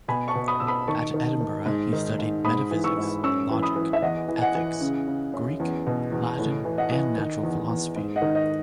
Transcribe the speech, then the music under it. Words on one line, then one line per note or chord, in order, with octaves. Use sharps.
At Edinburgh he studied metaphysics, Logic, Ethics, Greek, Latin and Natural Philosophy.
B2 G#5 B5
A5 C#6
B2
B5 D#6
B2 E6
B5 D#6
D#3 A5 C#6
D#3
D#3
G#2
D#3
G#2
G#2 B5 D#6
E3
C#6 E6
G#2
F#2 C#6 E6
E3
B5 D#6
E3
E5
E2 D#5 F#5
E3
G#5
D#5 F#5
E3
C#3
C#3
F#2
E2
B2
E2
A2
E3
D#5 F#5
E3
D#3
E2
E2
G#2
D#5 F#5
D#3
D#5